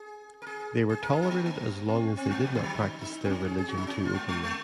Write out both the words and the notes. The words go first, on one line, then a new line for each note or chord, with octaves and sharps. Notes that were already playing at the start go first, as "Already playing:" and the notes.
They were tolerated as long as they did not practice their religion too openly.
Already playing: G#4
A#4
G#4
G#4
A#4
G#4
D#4
A#3
A#3
C4
C4
G#3
F3
D#3
F#3
D#4
D#4
C4
C#4
G#4
G#4
F#4
D#4
C#4
F4
G#3
G#3
G#3